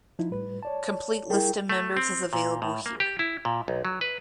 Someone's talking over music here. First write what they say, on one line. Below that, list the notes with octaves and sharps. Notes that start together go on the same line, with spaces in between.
Complete list of members is available here.
F3 D#4 E4
A2 G3 B4
C#5 D5 A5
G3 E4 G#4 A#4 G5
A3
C4
A#2
A2
A#3
G4
E4
A#2
B1
F#3
B4